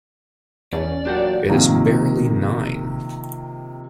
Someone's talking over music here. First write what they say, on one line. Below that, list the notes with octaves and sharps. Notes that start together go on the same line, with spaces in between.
It is barely nine.
E2 C#4 D5
A#2 F#3 D4 G4 F#5
C3 D#3 F3 A#3